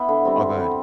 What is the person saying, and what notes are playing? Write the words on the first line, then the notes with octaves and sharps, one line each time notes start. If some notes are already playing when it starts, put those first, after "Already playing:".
Oh, go ahead.
Already playing: B3 E4
D3
G3 C4
D3
G3 C4